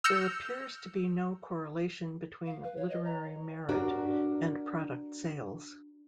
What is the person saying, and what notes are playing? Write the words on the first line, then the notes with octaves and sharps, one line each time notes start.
There appears to be no correlation between literary merit and product sales.
E6 F6 G6 A#6 C#7 E7
F5
B4
C#5
D#5
A#5
D4 F#4 A#4